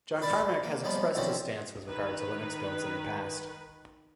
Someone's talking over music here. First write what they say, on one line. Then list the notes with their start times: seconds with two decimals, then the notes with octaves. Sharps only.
John Carmack has expressed his stance with regard to Linux builds in the past.
0.22 B4 D5
0.63 A#3
0.84 D#2 F3 G3 G#3 B3
1.14 B2 D3 E3 F3 C4 C#4
1.89 D#3 B4